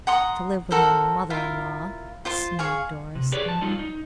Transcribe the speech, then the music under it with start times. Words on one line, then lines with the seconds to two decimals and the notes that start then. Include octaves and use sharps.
"To live with my mother-in-law!" sneered Doris.
0.07 F#5 A#5 C6 D#6
0.71 F#4 A4 A#4 C5
1.30 E4 F4 A#4
2.25 F4 C5 C6
2.59 G#4 F5 C#6
3.15 C3
3.32 G4 G#4 B4 C#5 D5
3.46 F3 A5
3.61 F#3 G3 D#4 F4
3.79 D#4